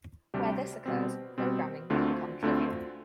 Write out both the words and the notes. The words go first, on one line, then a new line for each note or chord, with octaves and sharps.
Where this occurs, programming may become trivial.
D2 C3 G3 D4 G4
B2 G3 C4
B2 G3 C4
D2 D3 A3 C4 F4
D2 D3 A3 C4 F4